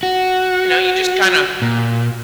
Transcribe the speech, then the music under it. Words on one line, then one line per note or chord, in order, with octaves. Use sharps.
you know, you just kinda
F#4
A#2